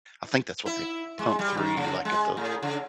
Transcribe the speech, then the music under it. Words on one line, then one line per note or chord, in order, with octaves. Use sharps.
I think that's what they pump through you, like, at the f
E4
G#3
G3
D#3
C#3
G#3
A2
C#3